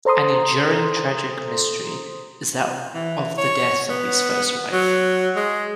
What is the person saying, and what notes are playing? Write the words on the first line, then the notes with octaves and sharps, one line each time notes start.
An enduring tragic mystery is that of the death of his first wife.
A4 C5 A#5 C6 D#6
E3
C#5
B3
F#3
G#3